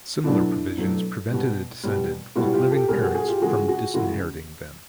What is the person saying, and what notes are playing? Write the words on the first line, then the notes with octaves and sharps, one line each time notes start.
Similar provisions prevented a decedent with living parents from disinheriting them.
B2 F#3 A3 D4 E4
B2 F#3 A3
B2 G3
B2 G3
B2 G3 E4 F#4
F4 G4
G4 A4
B2 G3 G#4 A#4
F#4 G#4
F#4 G#4
F4 G4
C#3 E3 G#3 F#4 G#4
F#4 G#4
C#3 E3 G#3 E4 F#4